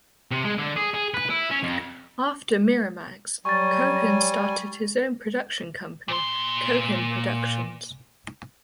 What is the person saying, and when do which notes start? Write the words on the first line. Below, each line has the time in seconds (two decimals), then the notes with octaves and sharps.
After Miramax, Cohen started his own production company, Cohen Productions.
0.31 C3
0.44 G#3
0.58 D3
0.76 G#4
0.94 G#4
1.14 B4
1.30 E4
1.51 C#4
1.63 F2
3.45 F#3 G3 G#5 C#6 A6
6.08 A#2 C6